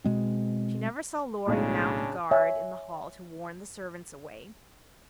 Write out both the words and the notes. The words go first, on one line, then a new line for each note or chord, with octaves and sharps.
She never saw Laurie mount guard in the hall to warn the servants away.
B2 G#3 C4
B1 A2 C#3 G#3 D4
C#5 E5 G#5